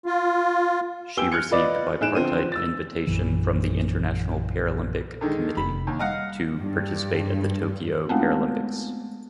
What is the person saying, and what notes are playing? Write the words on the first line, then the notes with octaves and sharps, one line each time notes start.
She received bipartite invitation from International Paralympic Committee to participate at the Tokyo Paralympics.
F4
B3 G4 G#5 E6 D7 G7
F6 F#6 G#6 C#7
F4 B4 D5 D#5
A2 D#4 G#4 F#6 D7 E7
D3 F3 C4 D#7
E6 A6
A#1 F#2 E3
D3 D#3 G#3
F1 B5
D#2
G3 D#5 F5 F#5
G2
G#3 A3 B3 C4